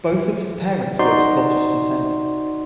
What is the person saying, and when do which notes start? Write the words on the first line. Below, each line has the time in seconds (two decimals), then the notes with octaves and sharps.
Both of his parents were of Scottish descent.
0.99 D#4 F#4 C5 D5 C6